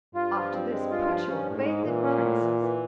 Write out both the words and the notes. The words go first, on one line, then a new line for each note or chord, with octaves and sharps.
After this, put your faith in princes!'
G2 F4
F3
C4
G#3
F4
F3
G2 C#4
A2
G#2
G#3
A#2 E3
C#4
A2
E3
E3